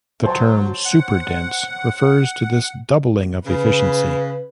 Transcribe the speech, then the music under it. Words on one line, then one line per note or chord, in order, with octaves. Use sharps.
The term "superdense" refers to this doubling of efficiency.
F#3 C5 C#5 A5
F#5
C#3 B4